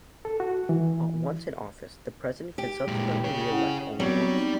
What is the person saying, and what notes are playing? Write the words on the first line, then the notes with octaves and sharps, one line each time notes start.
Once in office, the President can be subsequently re-elected only once.
A4
F#4
E3
G4
A#2 G#3
G#4 C#5
C#4 E4 F#5
F#3 G3 B3 C4 D5
D#4